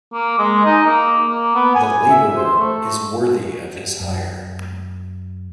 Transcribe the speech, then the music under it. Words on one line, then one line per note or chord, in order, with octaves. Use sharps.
The labourer is worthy of his hire.
A#3
G#3
D#4
A#3
A#3
B3
G#5
E5
C5
A3
F#2